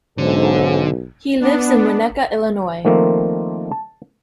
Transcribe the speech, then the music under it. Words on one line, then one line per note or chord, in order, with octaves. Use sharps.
He lives in Winnetka, Illinois.
B1 G#2 D3 C#4 A4 C5
B3 D4
D#3 F3 A3 A#3 C4
A5